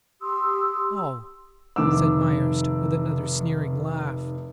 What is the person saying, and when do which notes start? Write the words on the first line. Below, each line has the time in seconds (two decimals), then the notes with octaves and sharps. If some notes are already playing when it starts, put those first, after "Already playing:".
"Oh!" said Myerst, with another sneering laugh.
0.21 G4 C6 D#6 E6
1.76 F1 D#3 D6 E6